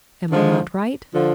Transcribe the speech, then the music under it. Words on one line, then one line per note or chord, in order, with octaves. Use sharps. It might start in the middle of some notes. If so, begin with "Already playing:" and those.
Am I not right?
D3 F3 G#3
D3 F3